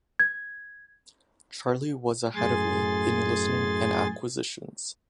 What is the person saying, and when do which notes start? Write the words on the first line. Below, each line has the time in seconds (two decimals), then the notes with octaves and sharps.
Charlie was ahead of me in listening and acquisitions.
0.19 G#6
2.35 F#2 A2 G#4 G#5 C6 A6